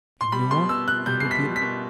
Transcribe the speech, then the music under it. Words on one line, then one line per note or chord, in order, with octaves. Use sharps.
'A new one?' I repeated.
C6
G3 B5
B2 C6
B2 E6
B2 F#6
G3 G6
B2 C7
B6
G3
B6
B2